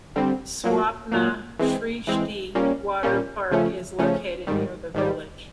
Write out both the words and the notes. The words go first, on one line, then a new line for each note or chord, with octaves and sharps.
Swapna Shrishti Water Park is located near the village.
D3 G3 C4
A#2 F#3 A#3
A#2 F#3 A#3
E3 G#3 C4
E3 G#3 C4
A#2 G3 A#3 C#4
A#2 G3 A#3 C#4
C#3 F3 A3 C#4
C#3 F3 A3 C#4
G#2 D#3 G3
G#2 D#3 G3